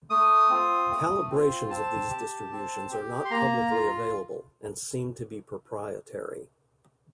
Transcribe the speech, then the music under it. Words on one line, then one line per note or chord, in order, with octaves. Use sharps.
Calibrations of these distributions are not publicly available, and seem to be proprietary.
A3 D#6
C4 F4
A3
C4 F4
C4 A5
G4
C4
G4
C6
A#3 A#5
F4